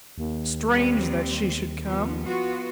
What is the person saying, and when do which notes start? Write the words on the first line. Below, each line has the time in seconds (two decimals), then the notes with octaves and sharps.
Strange that she should come!
0.18 D#2
0.68 G3 C4
1.83 F3 B3
2.24 B3 F4 F#4